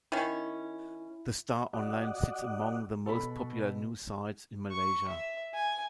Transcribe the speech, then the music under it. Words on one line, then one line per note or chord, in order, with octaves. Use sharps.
The Star Online sits among the most popular news sites in Malaysia.
D#3 C#4 E4
F#4 D5 D#5 F#5
B2 A4 B5
C#6
E5
G#5